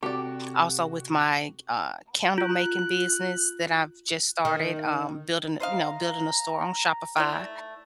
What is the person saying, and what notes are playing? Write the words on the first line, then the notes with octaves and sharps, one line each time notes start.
also with my, uh, candle making business that I've just started, um, building, you know, building a store on Shopify.
C3 F#4 G4 A4 D5
F4 F#6
D#3
C5 D#5 F5 A#5
A3 E4 D5